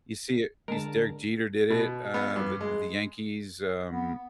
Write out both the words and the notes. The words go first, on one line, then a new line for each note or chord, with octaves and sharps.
You see it you se Derek Jeter did it, uh, the the Yankees, um,
D3 G#3 A#4 A5
B2
B3
G2
G#3
B3